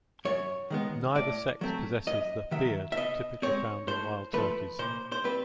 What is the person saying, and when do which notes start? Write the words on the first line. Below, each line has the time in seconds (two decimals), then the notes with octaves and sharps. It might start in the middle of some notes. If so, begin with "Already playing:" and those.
Neither sex possesses the "beard" typically found in wild turkeys.
0.25 F#2 C#5
0.70 D#3 G#3 B3
1.15 A2 D5
1.61 F#3 A3 C4
2.07 F#2 D#5
2.51 D#3 F#3 E5
2.92 E5
2.97 B2 D#5
3.42 G#3 C4 C#5
3.88 A2 C5
4.33 F3 A3 B4
4.79 A#2 C5
5.12 C5
5.24 G3 C4 B4